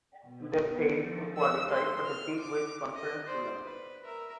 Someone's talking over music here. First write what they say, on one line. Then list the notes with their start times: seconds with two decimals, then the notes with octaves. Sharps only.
They failed to qualify for the Big West Conference tournament.
0.24 B2
0.71 B3
1.06 F3
1.39 E6
1.71 C6
2.07 F6
2.41 D6
2.94 D#5
3.26 C5 D5
3.63 B4
4.04 A#4 E5